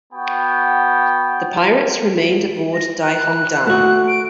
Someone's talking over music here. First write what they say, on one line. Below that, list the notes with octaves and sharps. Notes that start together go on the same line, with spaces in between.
The pirates remained aboard "Dai Hong Dan".
B3 F#4 G5
A#6
F#6
A3 F#4
D7